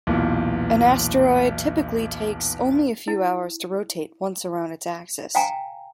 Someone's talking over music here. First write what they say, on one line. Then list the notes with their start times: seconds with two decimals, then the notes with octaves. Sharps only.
An asteroid typically takes only a few hours to rotate once around its axis.
0.07 B1 E2 A#2
3.08 E4
5.35 F5 G5 G#5 A#5